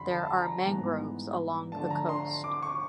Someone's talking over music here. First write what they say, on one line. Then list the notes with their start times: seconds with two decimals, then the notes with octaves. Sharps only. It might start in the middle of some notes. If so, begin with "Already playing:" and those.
There are mangroves along the coast.
Already playing: F2 D3 G3 B5 C6
0.11 A5
0.37 A#5
0.65 G#2 E3 G3 B3
1.72 D3 F3 A3 D4 A5
1.90 A#5
2.09 C6
2.44 D6
2.63 C#6